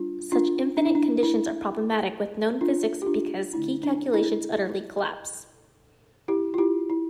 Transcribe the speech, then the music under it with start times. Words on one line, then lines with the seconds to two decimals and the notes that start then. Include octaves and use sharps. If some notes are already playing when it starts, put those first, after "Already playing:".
Such infinite conditions are problematic with known physics because key calculations utterly collapse.
Already playing: G3 D4 F4
0.32 D4 F4
0.77 D4
0.86 E4
0.95 D4
1.23 E4
2.61 D4 F4
3.02 G4
3.06 D4 F4
3.52 D3 A3 D4 E4
3.83 D4
4.14 E4
6.28 E4 G4
6.54 F4
6.58 E4 G4
6.90 E4